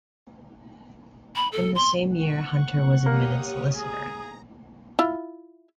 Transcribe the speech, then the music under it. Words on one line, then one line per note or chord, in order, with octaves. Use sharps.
In the same year Hunter was admitted solicitor.
B5
A4
C6
F#5 C#6
A#3 G4 C#5 D#6
G#4 A#5 D#6
E4 F4